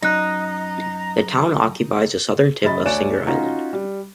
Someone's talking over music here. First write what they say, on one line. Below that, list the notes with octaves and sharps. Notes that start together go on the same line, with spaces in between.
The town occupies the southern tip of Singer Island.
F#2 D#4 A#5 F#6 A#6
F#2 C#3 F#3 D#5 B5 A6
D2 C#5 D5 G#5 F#6 E7
C#4 D#4 F4 F#4 A#5
G3